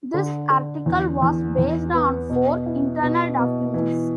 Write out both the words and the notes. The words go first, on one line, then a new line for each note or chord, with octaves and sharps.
This article was based on Ford internal documents.
D3
D3
E2
E2
E2
B3
B2
E4
B2
B2
E3